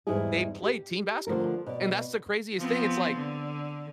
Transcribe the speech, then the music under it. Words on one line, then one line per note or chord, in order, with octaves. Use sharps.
they played team basketball, and that's the craziest thing, it's like,
E2 G#2 G3 D#4 E4 G#4
G4
D3 F3 A3 A#4
B2 D5
F3 B3 C4
D3